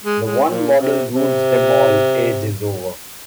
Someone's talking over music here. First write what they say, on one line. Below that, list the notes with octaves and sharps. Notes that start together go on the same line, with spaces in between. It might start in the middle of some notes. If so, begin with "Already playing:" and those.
The one model rules them all age is over.
G#3
G#3
A#2
C3
C3